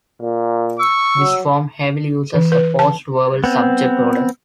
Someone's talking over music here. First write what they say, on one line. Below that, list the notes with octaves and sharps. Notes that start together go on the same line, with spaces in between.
This form heavily uses a post-verbal subject order.
A#2
C#6 E6
F#3
E3
B4
A5
B3 C4